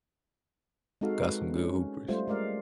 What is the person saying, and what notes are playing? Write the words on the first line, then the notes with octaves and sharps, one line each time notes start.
Got some good hoopers.
G#3 C4 D#4 F#4 A4 F5
B4
C#4
G3 A3 F4 C5
G#3 A#4 D5 F5